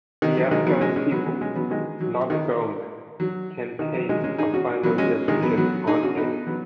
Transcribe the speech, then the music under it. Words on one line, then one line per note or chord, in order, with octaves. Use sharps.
The Afghan people, not the government, can take a final decision on it.
D#3
F#3
D#3 G#3
F#3 B3
G#3 C#4
G#3 C#4
F#3 B3
F#3 B3
G#3 C#4
F#3 B3
D#3 G#3
F#3
D#3
F#3
D#3
F#3
D#3 G#3
G#3 C#4
D#4 G#4
C#4 F#4
F#3 B3
G#3 C#4
D#3 G#3
F#3 B3
F#3 B3
D#4 G#4
C#4 F#4
B3 D#4
F#3 B3